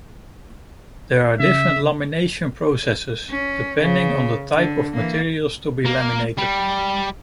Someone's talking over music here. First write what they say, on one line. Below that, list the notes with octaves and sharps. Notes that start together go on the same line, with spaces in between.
There are different lamination processes, depending on the type of materials to be laminated.
C#3 E5
C#4
C#3
D3
E3 A#3
A#3
G3